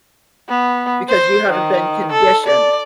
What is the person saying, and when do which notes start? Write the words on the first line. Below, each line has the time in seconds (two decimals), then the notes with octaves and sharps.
because you haven't been conditioned.
0.49 B3
1.09 C5
1.51 D#3
2.12 A4
2.47 D5